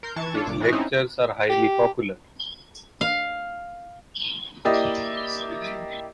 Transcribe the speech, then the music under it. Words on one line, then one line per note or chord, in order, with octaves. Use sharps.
His lectures are highly popular.
A#4 C6 G6
E3 A5 C#6 G#6
D4 F4 A4 C#5
G1 A#2 D6
A2 E3 F#4 G#4 B4 F6
C4 C#4 D#4 E4
G4
F5
A#3 E4 G4 D5 D#5